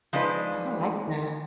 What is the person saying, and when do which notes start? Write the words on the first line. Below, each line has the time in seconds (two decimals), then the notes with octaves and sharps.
I like that.
0.13 F3 G#3 D4 D#4 B4